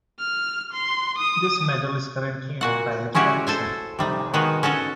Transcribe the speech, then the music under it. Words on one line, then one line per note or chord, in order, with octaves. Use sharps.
This medal is currently in a private collection.
F6
C6
D#6
A#2 F#4 F#5
G#3 C#4 E4 F#4 G4
A4 C5 G#5
C3 G3 D#4
D#3 G#3 B3 D#4 F#4 B4
C#4 F#4 A4 D#5 F#5